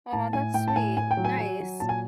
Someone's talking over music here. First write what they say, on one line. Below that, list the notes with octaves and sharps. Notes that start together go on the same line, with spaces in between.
Aw, that's sweet, nice.
A2 A5
A2 G#5
A2 G5
A5
A2 G#5
A2 G#5
G5
F#3
G#5
F#3
F#3
A#2 A5
G#5